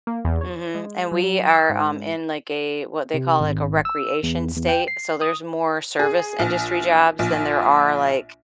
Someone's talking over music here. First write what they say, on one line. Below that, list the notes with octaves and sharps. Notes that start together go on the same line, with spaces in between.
Mhm. And we are, um, in, like, a what they call, like, a recreation state. So there's more service industry jobs than there are like
A#3
E2
C#5
G#3
F#3
E6
G#2
C3
G#1
E6
E2
E2
G5
C7
D#6
G#4
A#1
A#1